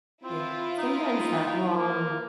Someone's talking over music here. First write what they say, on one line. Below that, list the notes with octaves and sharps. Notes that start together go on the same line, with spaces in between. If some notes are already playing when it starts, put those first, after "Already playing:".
Yeah. Sometimes that long
C4 E4 F4
D#4
A#3